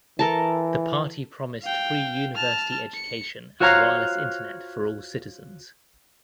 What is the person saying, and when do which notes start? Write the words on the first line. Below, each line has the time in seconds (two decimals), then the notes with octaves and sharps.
The party promised free university education and wireless internet for all citizens.
0.19 E3 A4 A#4 A5
1.63 F5 G5
2.35 A5 F6
2.95 C#7
3.60 F4 F#4 C5 C#5 F5 A#5